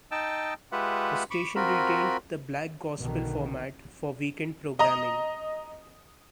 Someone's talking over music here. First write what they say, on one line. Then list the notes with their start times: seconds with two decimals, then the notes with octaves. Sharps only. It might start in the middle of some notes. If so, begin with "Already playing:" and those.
The station retained the Black gospel format for weekend programming.
0.11 D#4 D#5 G5 A5 E6
0.72 G#3 F4 G4 B4 E5 F#5
1.30 B5 C#6 D6
1.56 C4 F4 F#4 A#4 B5
2.97 B1 B2 D3 D#3
4.79 D#5 A#5 D#6